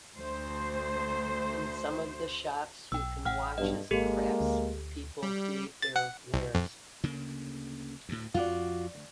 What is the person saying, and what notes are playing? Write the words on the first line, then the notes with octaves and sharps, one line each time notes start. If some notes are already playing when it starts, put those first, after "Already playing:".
In some of the shops you can watch as the craftspeople create their wares.
D2 C5
B1 G5 E6
A1 F#5 G5 F6
B1 G2 D#5
G#1 G#3 A#3 G4 A4
D2
G3
A6
F#5
C2
F2
D2 C#3 A#3
D2 A2
F2 F4 F#4 D5
D2